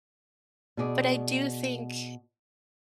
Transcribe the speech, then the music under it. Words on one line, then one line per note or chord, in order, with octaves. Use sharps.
but I do think
B2 G#4 D5